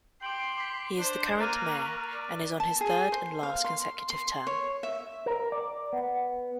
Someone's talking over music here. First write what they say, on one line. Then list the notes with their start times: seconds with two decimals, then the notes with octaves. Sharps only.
He is the current mayor and is on his third and last consecutive term.
0.22 G5 C6 D6 C7 F#7
0.58 D6 B6
0.98 D4 C5
1.38 A#3 A#4 F#6 A6 D#7
1.72 C#6 D#7
2.14 D5
2.60 A5
2.81 G#4
3.12 C5
3.43 F5
3.64 C6
4.10 C6
4.47 C#5
4.83 E5
5.26 A#4
5.52 D5
5.93 B3